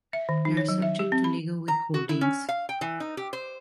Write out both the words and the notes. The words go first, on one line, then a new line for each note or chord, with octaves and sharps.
They are subject to legal withholdings.
E5
D#3
D#4
C#5
F#3
E5
G4
C4
B5
A#5
F#4
E4
C#4
F5
G5
E3
D#4
G4
C5